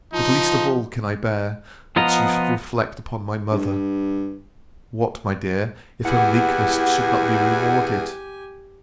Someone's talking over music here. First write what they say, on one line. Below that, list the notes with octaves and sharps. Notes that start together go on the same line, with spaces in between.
But least of all can I bear that you should reflect upon my mother. What, my dear, if her meekness should not be rewarded?
F3 D#4
F3 B3 F4 D#5 A#5
G2
E2 E4 G4 F#5 G#5